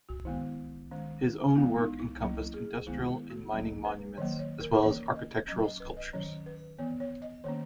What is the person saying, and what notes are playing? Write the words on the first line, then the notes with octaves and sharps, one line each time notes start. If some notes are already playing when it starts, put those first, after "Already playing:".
His own work encompassed industrial and mining monuments as well as architectural sculptures.
F#4
D#3 G#3 B3 E4
D#3 G#3 C#4
E3 G#3 B3 E4
D#4
E4
F#3 A#3 C#4 E4
G#4
D#3 G#3 B3 E4
E4
F#4
F#3 A#3 C#4
B4
D#3 F#3 A#3 C#5
C#5
A#4
E3 A#3 C#4 C#5
D#5
F#3 C#4 D#5
D#5
B4
D#5
D#3 F#3 C#4 C#5
B4
E3 B3 C#5
C#5
D#5
D#3 A#3 C#4 C#5